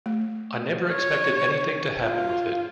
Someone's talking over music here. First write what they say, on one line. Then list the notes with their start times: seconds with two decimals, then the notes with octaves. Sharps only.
I never expected anything to happen with it.
0.06 A3
0.91 C#5
2.04 F4